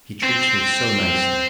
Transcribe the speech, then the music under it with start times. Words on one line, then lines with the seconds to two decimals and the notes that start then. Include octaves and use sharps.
He treats me so nicely.
0.23 C4